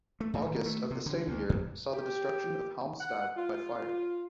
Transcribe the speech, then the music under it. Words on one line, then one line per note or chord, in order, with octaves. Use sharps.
August of the same year saw the destruction of Halmstad by fire.
A3
A2
D#3
A3
C3
D3
D2
F2
G4
F#5
F4